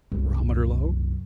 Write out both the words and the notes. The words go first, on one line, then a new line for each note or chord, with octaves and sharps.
Barometer low?
C2 F#2